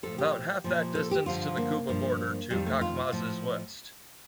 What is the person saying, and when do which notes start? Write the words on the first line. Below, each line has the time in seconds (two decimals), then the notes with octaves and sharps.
About half that distance to the Quba border to Khachmaz's west.
0.03 A2 F3 A4
0.18 G4
0.64 A#2 F3
0.95 A4
1.11 G4
1.26 G2 D3 F3 F4
1.57 A#3
1.89 G2 F3
2.50 F2 D#3 G3
2.66 A3
2.81 F4
3.12 A2 F3